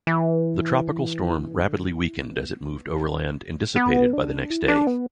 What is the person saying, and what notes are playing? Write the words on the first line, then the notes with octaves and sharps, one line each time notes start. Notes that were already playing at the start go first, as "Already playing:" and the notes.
The tropical storm rapidly weakened as it moved overland and dissipated the next day.
E3
D3
E4
B3
B3
D4
E4
D4
B3